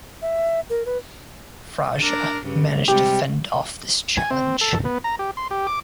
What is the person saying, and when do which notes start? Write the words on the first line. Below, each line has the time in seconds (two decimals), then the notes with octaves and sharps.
Fraser managed to fend off this challenge.
0.22 E5
0.70 A#4
0.86 B4
2.01 D4 A#4
2.46 G2 C#3
2.88 C3 G3 G#3 G4
4.17 G#5
4.31 C4
4.61 A4
4.85 B3
5.04 A#5
5.19 G4
5.37 C6
5.51 G4
5.67 D6